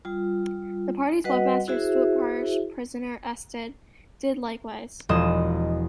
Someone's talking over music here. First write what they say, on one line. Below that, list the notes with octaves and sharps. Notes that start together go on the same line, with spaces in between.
The party's webmaster, Stuart "Parish Poisoner" Estell did likewise.
G3 F4
G3 F#4 B4 D#5 F#5
E4 F#4 G#4 C5 E5
E1 E2 F3 D#5 D#6 E7